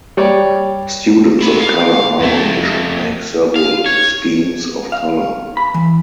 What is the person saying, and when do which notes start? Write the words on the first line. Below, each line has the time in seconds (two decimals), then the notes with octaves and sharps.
Students of color harmony should make several schemes of color.
0.17 G3 C#5 D5
1.41 C4 B5
1.60 F5
2.20 F2 A3
3.56 F5
3.86 C#5
4.92 F5
5.57 B5
5.74 E3